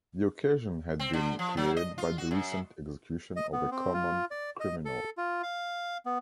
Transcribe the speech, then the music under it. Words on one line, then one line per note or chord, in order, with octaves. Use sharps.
The occasion had been created by the recent execution of a common criminal.
C4
D3
F3
F#3
D#5
F4
F#4
F#2
D#5
B3
C4
F4
D5
D#5
A4
F4
F5
B3